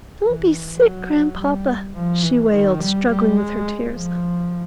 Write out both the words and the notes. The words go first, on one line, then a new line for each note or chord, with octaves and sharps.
"Don't be sick, Grandpapa," she wailed, struggling with her tears.
E3
F#3
G3
F3
E3
D#3
G3
G3
G#3
F3